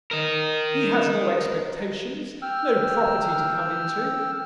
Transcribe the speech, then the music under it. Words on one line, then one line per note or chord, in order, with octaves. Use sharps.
He has no expectations, no property to come into.
A#4 D#5
G5 E6 F6